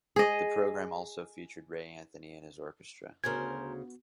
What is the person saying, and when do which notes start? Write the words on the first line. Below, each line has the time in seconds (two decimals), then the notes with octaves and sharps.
The program also featured Ray Anthony and his orchestra.
0.16 G#4 D#5
3.24 D2 C#3 B3 F#4 A#4 C5 G#5 G#6